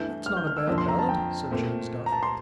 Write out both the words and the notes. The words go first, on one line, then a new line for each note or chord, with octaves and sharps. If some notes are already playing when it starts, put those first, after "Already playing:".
"That's not a bad ballad," said James Duff.
Already playing: G2 E3 A3 E4 G6
F6
G6
F6
E6
F2 D3 F3 A#3 E6
C6
A#5
A5
G5
A#2 A3 C4
A#5
A5
C6